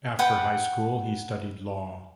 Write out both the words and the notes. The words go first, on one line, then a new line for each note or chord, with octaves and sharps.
After high school he studied law.
B4 F#5 G5